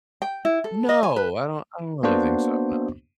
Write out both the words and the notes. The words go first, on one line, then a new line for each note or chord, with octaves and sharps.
No, I don't I don't really think so, no.
G5
E4
A4
D#5
G#5
B4
A#3 B3 D4 F#4 C5